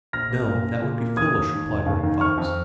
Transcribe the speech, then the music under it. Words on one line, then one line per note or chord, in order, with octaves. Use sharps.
"No, that would be foolish," replied Running Fox.
A#1 F6 A#6
A#3
A#2
A#2
A#2
A#3
D#2 D#6 G#6
D#2
D#3
F1
D#2
D#3
F2 C#6 F6
F2